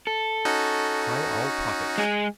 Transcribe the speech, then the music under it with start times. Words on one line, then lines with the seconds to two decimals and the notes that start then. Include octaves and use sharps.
Try all pockets.
0.07 A4
0.45 C#4 D#4 F#4
1.98 G#3 G#4